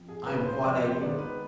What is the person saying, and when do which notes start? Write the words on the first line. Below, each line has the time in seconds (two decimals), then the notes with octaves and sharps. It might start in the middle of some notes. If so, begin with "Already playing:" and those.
"I am quite able."
Already playing: F2
0.08 G#4
0.26 D#3 G#3 B3 B4
0.45 C5
0.63 F2 D5
0.75 B4
0.81 C5
1.00 D#3 G#3 B3 D5
1.19 B4